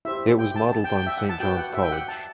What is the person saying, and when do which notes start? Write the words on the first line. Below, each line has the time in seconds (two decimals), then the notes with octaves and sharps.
It was modelled on Saint John's College.
0.05 E4 G4 C5 E5
0.39 G5
0.56 A5
0.73 A5
0.84 G5
0.95 G5
1.07 E5
1.18 F#5
1.29 A5
1.40 F#4 B4 G5
1.57 F#5
1.74 E5
1.82 G5
1.91 F#5
2.08 A5